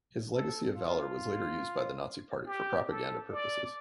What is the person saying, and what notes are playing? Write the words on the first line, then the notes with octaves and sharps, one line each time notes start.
His legacy of valor was later used by the Nazi Party for propaganda purposes.
A4
F4
G4
A4
D5